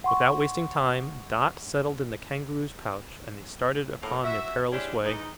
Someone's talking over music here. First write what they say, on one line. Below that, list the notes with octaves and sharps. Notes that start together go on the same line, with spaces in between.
Without wasting time, Dot settled in the Kangaroo's pouch, and they started upon their perilous way.
F#5 C6 C#6
A2 A#3
F#4 E5
G#3 C#4 D4 E4 G4
E3 G#3 D#4